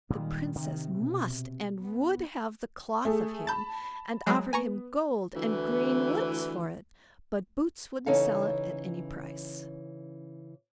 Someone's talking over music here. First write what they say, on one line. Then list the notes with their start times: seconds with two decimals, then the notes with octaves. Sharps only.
The Princess must and would have the cloth of him, and offered him gold and green woods for it, but Boots wouldn't sell it at any price.
0.10 A#2 D#3 G3 G#3
0.55 C3 D#3
0.93 B2
1.79 B3
3.05 A3 G#4 A4
3.47 A5 B5 G6 A6
4.27 F#3 G#3
4.53 B3 G#5 A#5 C#6
5.35 D2 E3
8.06 C#3 E3 C#4 D#4 A4 F5